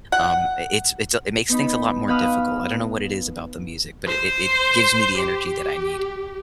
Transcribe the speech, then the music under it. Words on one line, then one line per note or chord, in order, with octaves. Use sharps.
um, i it's it's a it makes things a lot more difficult. I don't know what it is about the music, but it it it gives me the energy that I need.
F#5
B3 D#4 B5
B2 F5 F#5 B5 D#6 F6
C5
G4